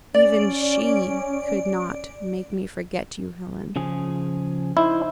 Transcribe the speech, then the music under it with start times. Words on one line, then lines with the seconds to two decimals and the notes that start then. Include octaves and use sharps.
Even SHE could not make me forget you, Helen.
0.15 C#4 D5
3.76 C#3 F3 G#4
4.77 D#4 E4 C5